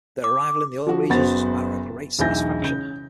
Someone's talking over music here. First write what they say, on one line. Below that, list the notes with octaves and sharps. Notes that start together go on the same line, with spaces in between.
Their arrival in the oil regions was a matter of great satisfaction.
D6
F3 F#4
F#1 B3 F#4 C5 A6
E1 B1 E4 G#5 G6 A#6
C#3 G6